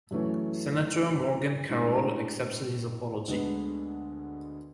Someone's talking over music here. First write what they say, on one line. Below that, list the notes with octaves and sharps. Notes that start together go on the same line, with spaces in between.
Senator Morgan Carroll accepted his apology.
F#2 E3 A3 C#4
A2 G#3 D4
D2 D3 G#3 B3